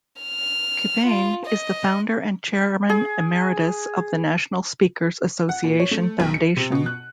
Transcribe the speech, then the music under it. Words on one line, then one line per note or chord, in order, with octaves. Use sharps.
Qubein is the Founder and Chairman Emeritus of the National Speakers Association Foundation.
F6
F4
D#5
G#4
F#5
A#2
C#5
A3
B1
C#7
C3
B2
F#6